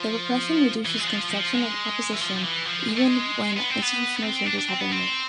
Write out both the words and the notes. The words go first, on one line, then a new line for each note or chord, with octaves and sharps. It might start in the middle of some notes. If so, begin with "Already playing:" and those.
The repression reduces constructive opposition even when institutional changes have been made.
Already playing: F3
E3
G#3
F3
F3
G#3
E3
F3
F3
E3
F3
G#3
A3
G#3
B3
C4
B3
B3
C4
D4
D4
C4
B3
C4